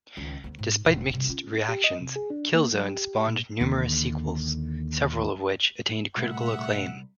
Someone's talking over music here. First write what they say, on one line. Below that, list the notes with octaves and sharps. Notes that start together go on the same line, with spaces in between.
Despite mixed reactions, "Killzone" spawned numerous sequels, several of which attained critical acclaim.
C#2 D#3
D2 B3
G#2
E1 A#2
G2 C3
C#4 F4
G4
D#5
C3
G#4
D4
A#3
F#3
G4
A#2
D#2 D3
C2 A#2 A3 E5 F#5